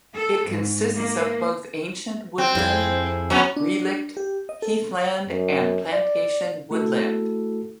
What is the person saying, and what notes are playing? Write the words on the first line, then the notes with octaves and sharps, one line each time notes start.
It consists of both ancient woodland, relict heathland and plantation woodland.
A4
G#2
A#3
C4
F2 E4 G#4
F#3 B3 C#4
D4
G4
D#5
A4
F#2
D5
A3 E4 F#4 A4